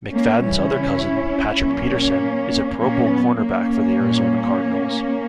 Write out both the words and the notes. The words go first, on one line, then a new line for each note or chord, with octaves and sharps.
McFadden's other cousin, Patrick Peterson, is a Pro Bowl cornerback for the Arizona Cardinals.
A#3 C#4
C#3 E3 G3 C#4 E4
A#2 F#3 A#3 C#4
A#2 F#3 A#3 C#4
B3
A#3 C#4
A#2 G3